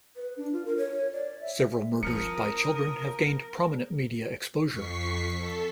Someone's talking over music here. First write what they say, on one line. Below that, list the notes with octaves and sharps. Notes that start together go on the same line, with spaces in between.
Several murders by children have gained prominent media exposure.
B4
D4
F4
A#4
C#5
D5
E5
F3 C4 A#4 D#6 F6 C#7
F2 C#6 B6 C7
A4